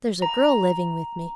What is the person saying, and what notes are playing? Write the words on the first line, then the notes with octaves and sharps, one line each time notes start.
'There's a girl living with me.
A#5